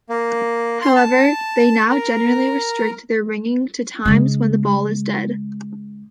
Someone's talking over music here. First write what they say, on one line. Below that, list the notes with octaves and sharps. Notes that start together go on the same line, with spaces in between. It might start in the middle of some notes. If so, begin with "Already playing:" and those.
However, they now generally restrict their ringing to times when the ball is dead.
A#3
C6
A5
A#4
C#3 G#3